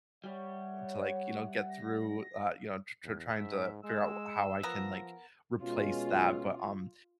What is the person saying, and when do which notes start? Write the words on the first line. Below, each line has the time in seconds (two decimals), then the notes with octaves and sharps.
to, like, you know, get through, uh, you know, tr tr trying to figure out how I can, like, replace that, but, um,
0.24 G3 G4 C#5 E5 F#5
1.70 A#6
3.04 E2
3.36 G#2 E5
3.84 G#3 E6
4.63 F3 B3 A#4
5.61 B2 G#3 C#4 F4